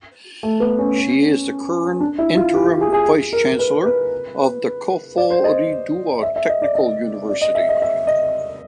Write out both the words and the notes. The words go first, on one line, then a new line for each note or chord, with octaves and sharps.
She is the current interim Vice Chancellor of the Koforidua Technical University.
A3
B3
C#4
D4
E4
F4
G4
G4
G#4
G#4
A#4
B4
B4
D5
C5
D#5
E5
E5
D#5
D5
D#5
D5
D#5
E5
D#5
E5
D#5